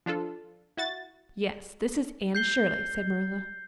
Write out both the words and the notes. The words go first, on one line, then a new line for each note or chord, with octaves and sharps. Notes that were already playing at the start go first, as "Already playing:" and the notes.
"Yes, this is Anne Shirley," said Marilla.
F3 D4 F4 A4
E4 F#4 A6
G6 C7 G7